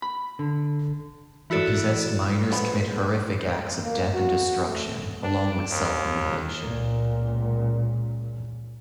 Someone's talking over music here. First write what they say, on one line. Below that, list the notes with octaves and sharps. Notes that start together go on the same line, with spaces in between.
The possessed miners commit horrific acts of death and destruction, along with self-mutilation.
B5
D3
E3 E4 F#4 A4 D5
F3 G#3 A3 B3 B5
A#3
F#4
A3
D4
D#2
C#2 A#2